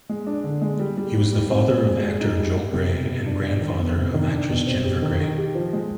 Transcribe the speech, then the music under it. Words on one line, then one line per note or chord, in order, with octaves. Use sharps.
He was the father of actor Joel Grey and grandfather of actress Jennifer Grey.
G#3
D4
D3
G#3
G3
G3
G3
G3
C4
C4
G#3
G#3
D#4
G3
G3
C3
B2
B3
D4
D4
D#3
B3
C3
D#3
D4
B2
C4
G4
D#3
D#3
G4
F3
G#3